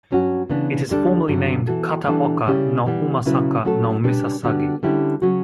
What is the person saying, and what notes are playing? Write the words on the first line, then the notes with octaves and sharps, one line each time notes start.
It is formally named "Kataoka no Umasaka no misasagi".
G2 F#3 C#4 F#4
C#3 E3 B3 D4
D2 D3 G3 D4 A4
G2 D3 F#3
E3 B3 F#4 A4
E3 G3 B3 D4 A4
C#3 G3 C#4 E4 G4
E3 G3 B3
C#3 F#3 C#4 E4 B4
F#3 A3 C#4 F#4 A4
C#3 G3 D4 G4 B4
D3 G3 B3 D4 F#4
D3 G3 C#4 E4 G4
C#3 F#3 C#4 F#4